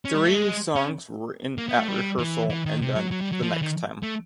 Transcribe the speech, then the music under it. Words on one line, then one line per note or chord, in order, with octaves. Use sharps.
Three songs were written at rehearsal and done the next time.
C#4
G3
A3
G#3
C#4
A#3
B3
A3
G3
E3
E3
D#3
C3
F#3
F#3
G3
F#3
F3
E3
D#3
A3